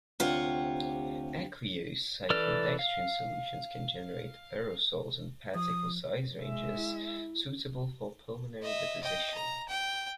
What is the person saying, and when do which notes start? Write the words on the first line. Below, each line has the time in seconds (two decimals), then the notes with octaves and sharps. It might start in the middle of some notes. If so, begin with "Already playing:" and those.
Aqueous cyclodextrin solutions can generate aerosols in particle size ranges suitable for pulmonary deposition.
0.20 D2 C3 F4 G4 C#5 F#5
2.30 E3 A4 B4 D5 F6
2.79 F5
5.55 F3 D#6
6.42 G#3 E5
6.76 E4
8.62 D#5 E5
9.02 D#5 G5
9.35 A#5
9.68 G5